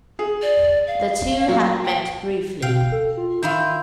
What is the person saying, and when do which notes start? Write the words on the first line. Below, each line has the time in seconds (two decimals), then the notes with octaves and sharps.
The two had met briefly.
0.19 G#4
0.42 D5
0.87 F5
1.48 A#2 F#3
1.85 G5
2.62 B2 F5 G5
2.92 A4
3.17 F4
3.43 D#3 E4 F4 G6